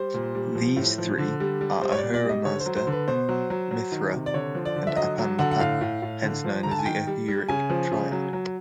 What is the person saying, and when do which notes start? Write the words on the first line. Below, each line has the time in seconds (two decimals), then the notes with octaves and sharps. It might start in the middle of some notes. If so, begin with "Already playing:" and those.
These three are Ahura Mazda, Mithra, and Apam Napat-hence known as the "Ahuric triad".
Already playing: G3 C5
0.14 A#2
0.35 G3
0.55 F3
0.76 A2
0.98 F3
1.18 D3
1.40 G3
1.61 G3
1.82 G3 C5
1.92 C#5
1.98 D5
2.03 B2
2.14 D5
2.24 G3 D#5
2.45 D3 C#5
2.60 C5
2.66 F#3
2.76 C5
2.87 D3
2.92 B4
3.08 B2 C5
3.29 F#3
3.50 F#3
3.71 F#3
3.92 D#3
4.13 C3
4.26 D5
4.34 D3 C#5
4.55 F3
4.65 D5
4.76 D3
4.87 E5
4.97 F#3 D#5
5.18 F#3
5.39 D3 F#5
5.51 F#5
5.60 A2 F5
5.81 A2
6.02 A2
6.23 D3
6.44 F3
6.63 D3 A#5
6.71 A5
6.79 G#5
6.86 D#3 G5
7.07 G3
7.28 G3
7.48 C#3 G#5
7.70 F3
7.91 C#3
8.12 F#3
8.33 F#3